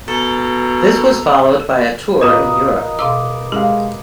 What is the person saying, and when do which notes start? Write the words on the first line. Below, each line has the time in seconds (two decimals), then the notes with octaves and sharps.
This was followed by a tour in Europe.
0.08 B2 A4 A#5
2.21 A2 A#3 F4 A#4 B4 D#5
2.99 B2 F5 D6 E6
3.52 G#3 G4 F5